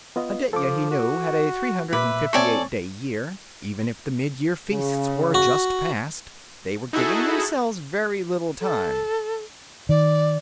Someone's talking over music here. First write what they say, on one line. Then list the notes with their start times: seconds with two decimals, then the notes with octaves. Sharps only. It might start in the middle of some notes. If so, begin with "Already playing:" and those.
Aditya, he knew, had a three hundred and fifty-eight day year; even if the Midyear Feasts were just past, they were giving themselves very little time.
0.16 B3 F4 D#5
0.53 F3 A4 D6
0.91 F#4
1.93 A#2 B4 E5 D6
2.33 C4 A4 C#5 D5 G#5 C#6
4.70 C#3
5.34 F#4
6.93 D#4 E4 F#4 G#4 A4
8.61 A4
9.89 D#3 D5